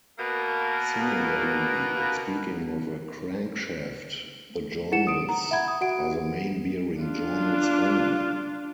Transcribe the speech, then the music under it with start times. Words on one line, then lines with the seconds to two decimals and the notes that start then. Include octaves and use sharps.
Similarly, when speaking of a crankshaft, the "journals" are the main bearing journals only.
0.18 B2 A#3
4.92 E4 G#4 F#5 C#7 E7
5.07 D#6 D7
5.29 A#5
5.51 E5 F#5 B5 G#6
5.68 D#6
5.81 F#4 F#5 D7
7.01 D4 F4